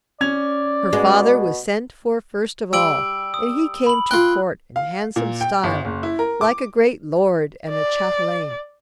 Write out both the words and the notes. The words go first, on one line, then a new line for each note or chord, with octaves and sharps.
Her father was sent for first of all, and he came to court in handsome style, like a great lord and a chatelain.
C#4 D5 G#6 F7
B2 G#3
G3 E6 D7 F#7
D#6
B5 F#7
F4 G5 F#6
F5
A#2
G5
G1
F#1
E4
A#4
D6
D5